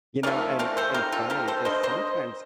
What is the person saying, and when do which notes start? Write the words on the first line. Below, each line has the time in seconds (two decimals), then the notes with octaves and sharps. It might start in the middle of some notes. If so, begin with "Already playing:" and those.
you know, and and funny is sometimes
0.23 F3 A3 C4 D#4 A#4 D5
0.59 F3 A3 C4 A#4 D5
0.77 A4 C5
0.94 C3 G3 C4 D#4 G4 A#4
1.12 F4 A4
1.30 C3 G3 C4 G4 A#4
1.48 A4 C5
1.65 G3 D4 C5 D#5
1.83 C5 D#5